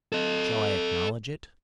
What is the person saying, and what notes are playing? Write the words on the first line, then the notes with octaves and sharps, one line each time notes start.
Shall I acknowledge it?
A4 D#5